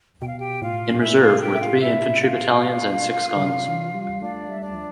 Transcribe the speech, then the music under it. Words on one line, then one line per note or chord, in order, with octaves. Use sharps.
In reserve were three infantry battalions and six guns.
B2 G5
F5
G4 G5
A2 F4 F5
E4 E5
F4 F5
G4 G5
E5
F4 F5
E4 E5
F4 F5
D3
C3
E3
F3
G3
A3 D4 D5
G3 E5
D4 D5
F3